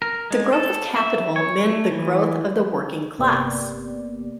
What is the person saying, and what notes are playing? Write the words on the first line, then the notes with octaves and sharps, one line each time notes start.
The growth of capital meant the growth of the working class.
A#4
G#3
A4
E5
C#5
A3
E3
G1 C3 A#3 B3 G4 D5